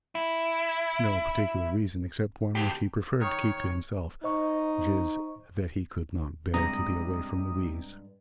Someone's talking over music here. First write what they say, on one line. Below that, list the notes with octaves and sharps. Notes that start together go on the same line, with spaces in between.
No particular reason except one which he preferred to keep to himself--viz. that he could not bear to be away from Louise.
E4
D2 G4
D#3 C#5
D#4 C5 D#5 C#6
G2 C3 G#3 A#5 D#6